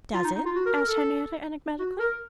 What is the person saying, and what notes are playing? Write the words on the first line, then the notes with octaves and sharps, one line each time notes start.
"Does it?" asked Henriette, enigmatically.
F4
D#4
D#4
F4
F#4
A#4
A#4
A4
F#4
A#4